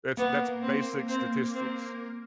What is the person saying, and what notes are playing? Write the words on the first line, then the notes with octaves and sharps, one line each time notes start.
that's that's basic statistics.
A#3 B3
C4
C4
C4